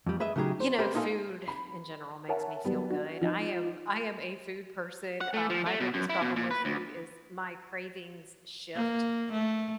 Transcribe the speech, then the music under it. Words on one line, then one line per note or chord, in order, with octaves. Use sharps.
You know, food in general makes me feel good. I am I am a food person, um, my biggest problem with food is my cravings shift
F2 G3
G#4 B4 D#5 E5
C#3 F#3 D#4 G4 G#4
C5
G4 A#4 C5 B5
A#3 D#4 F4 A4 F5 G#5
B5
A#4 C#5 E5 F#5 G#5 A5
F#3 G3 B3
D4 F#4
F3 D#4
F#5
A3
F3
A3
B2
F#2
E4
B2
A#2
B4
D2
A#3
A3